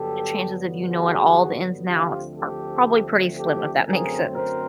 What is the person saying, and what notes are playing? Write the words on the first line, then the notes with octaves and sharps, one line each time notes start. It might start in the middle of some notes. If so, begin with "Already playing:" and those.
the chances of you knowing all the ins and outs are probably pretty slim if that makes sense.
Already playing: G2 D3 F#3 B3 G4 A4
F#4 G#4
D2 D3 F3 A3 C4 F4 G4
G4 A4
G4 A4
F#2 D3 F#3 A3 C4 G#4 A#4
A#4 C5